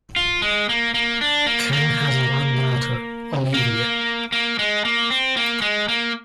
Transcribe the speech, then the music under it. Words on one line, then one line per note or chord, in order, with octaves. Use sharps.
Ken has one daughter, Olivia.
F4
G#3
A#3
A#3
D4
A#3
A#3
A#3
A#3
G#3
A#3
C4
A#3
G#3
A#3